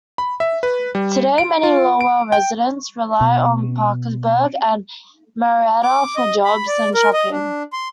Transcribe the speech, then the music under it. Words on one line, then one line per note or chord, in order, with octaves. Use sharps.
Today many Lowell residents rely on Parkersburg and Marietta for jobs and shopping.
B5
E5
B4
G3
D7
F4
D7
G5
B2
D6
D#5
B5
D5
A#4
D#5
D4
C6